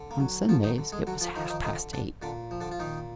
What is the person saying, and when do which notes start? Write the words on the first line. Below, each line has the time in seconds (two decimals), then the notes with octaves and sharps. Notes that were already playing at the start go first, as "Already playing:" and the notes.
On Sundays it was half-past eight.
Already playing: D3
0.11 A#3
0.20 F#3
0.49 D3 F3 F4
0.64 D#3 D#4
0.78 D3
0.92 G#3 G#4
1.07 D3 F#3 F#4
1.21 F3 F4
1.35 D#3 F3 D#4
1.50 D#3 D#4
1.64 D3 D#3 D#4
1.93 D3 D4
2.22 A#2 D3 D4
2.51 F3
2.61 D3 D4
2.71 F4
2.80 A#2 D#3 D#4